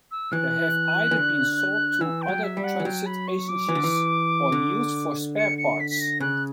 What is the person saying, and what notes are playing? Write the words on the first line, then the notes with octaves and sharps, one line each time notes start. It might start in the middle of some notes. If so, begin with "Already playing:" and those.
They have either been sold to other transit agencies or used for spare parts.
E6
E3 F#6
E3
D3
E3 E6
G5
F#3
E5
G3
F#5
E3
F#3 G5
B5
C#6
D6
E3
D3
E3
D3
C#7
C#7
B6
B6
A#6
C#3 F#6